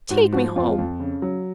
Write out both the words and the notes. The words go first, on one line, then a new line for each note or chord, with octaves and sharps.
Take me home!
G#2 F#4
F3 F#4
F2 F4
F2
C#3
F#3